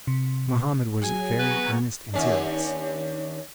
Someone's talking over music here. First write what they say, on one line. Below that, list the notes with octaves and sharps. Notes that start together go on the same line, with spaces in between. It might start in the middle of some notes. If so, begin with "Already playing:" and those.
Mohammed was very earnest and serious.
C3
F#3 G#4 G#5
B3 B4 A#5 C#6 G#6
D#2 C#4 D4